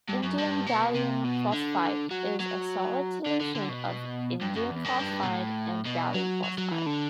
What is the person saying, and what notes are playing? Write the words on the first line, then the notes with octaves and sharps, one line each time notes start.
Indium gallium phosphide is a solid solution of indium phosphide and gallium phosphide.
G2
F#2
G2
B2
C3
B2
D3
F#3
F#3
D3
D3
D3
B2
G2
F#2
E2
F#2
G2
B2
A2
B2
F#3
F#3
F#3
E3
D3